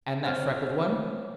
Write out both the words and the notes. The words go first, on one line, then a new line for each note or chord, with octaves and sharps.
"And that freckled one?"
C4 C5 C#5 F6